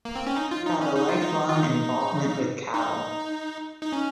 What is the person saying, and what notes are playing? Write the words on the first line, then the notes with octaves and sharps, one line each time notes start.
He had a lifelong involvement with cattle.
A#3
C4
C#4
D#4
F4
D#4
C#4
D#4
F4
D#4
F4
D#4
D#4
D#4
C#4